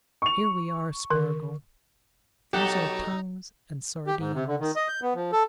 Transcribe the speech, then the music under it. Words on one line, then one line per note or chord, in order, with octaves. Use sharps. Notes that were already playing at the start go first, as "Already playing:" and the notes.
Here we are, Spargo--these are tongues and sardines.
C#6 F7
D#3 A#4
B2 F#3 D#4 G4 A4 F#5
G4
G#2
C3
D3
D#3
D#5
G6
B3
F3
A4